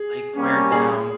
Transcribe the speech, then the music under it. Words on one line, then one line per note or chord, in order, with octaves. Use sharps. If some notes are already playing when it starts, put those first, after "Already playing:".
like wear down,
Already playing: G#4
G3 A#3 C#4
G#4